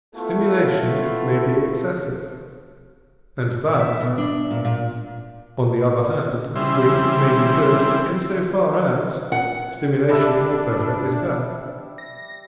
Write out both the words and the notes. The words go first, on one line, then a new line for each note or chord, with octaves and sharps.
Stimulation may be excessive and bad; on the other hand, grief may be good, in so far as stimulation or pleasure is bad.
A3 B3 E4 F4 A4
E5
B2
D4
A#2
A#2
C#3 E3 G3 C4 E5 C6
F#5
G3 D4 E5 B5
A#6